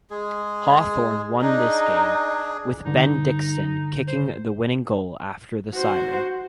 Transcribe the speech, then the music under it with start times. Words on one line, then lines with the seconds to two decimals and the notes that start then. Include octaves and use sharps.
Hawthorn won this game, with Ben Dixon kicking the winning goal after the siren.
0.10 G#3 G#4
1.41 D4 D#4 G#4
2.85 G2 D3 D#4
4.08 C5
5.74 F#4 C5